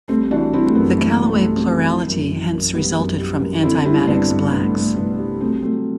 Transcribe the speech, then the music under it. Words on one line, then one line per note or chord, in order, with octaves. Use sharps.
The Callaway plurality hence resulted from anti-Maddox blacks.
G3 A3 C4
E3 D4 F#4
G3 C4 E4
A3
F#2 B3
E3 A3
F#2 B3
A3
G3
A3 C4
E3
E3
F#2
E3
F#2
G3 B3
F#2
G3
F#2
D3 C4 E4
G3 C4 E4
C4
G2 B3 D4
G2
G2 B3
A3
G2 A3
G2 B3
G3
F#3 A3 C4
F#3 A3 C4